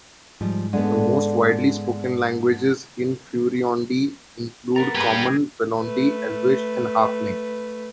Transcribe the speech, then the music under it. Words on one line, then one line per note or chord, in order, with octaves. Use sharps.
The most widely spoken languages in Furyondy include Common, Velondi, Elvish, and Halfling.
G#2 F3 G3
D3 G#3 A3 B3
B3 A4 A#4 A#5
G3 A#3 G4 G#4 B4
A3 B4